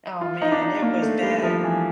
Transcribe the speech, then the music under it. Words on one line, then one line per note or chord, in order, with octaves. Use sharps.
Oh, man, it was bad.
F4
D#4
D4
D#4
A#3
A3
G3
F3
E3